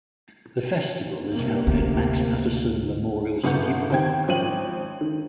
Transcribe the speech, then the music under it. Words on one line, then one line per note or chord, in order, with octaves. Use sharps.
The festival is held in Max Patterson Memorial City Park.
C3 A#3
D2 B3
G1 C#3 B3 F#5 C#6 G6
D#2 C4 G5 G#6
G#1 F3 C#4 G5 D#7 F#7
D#3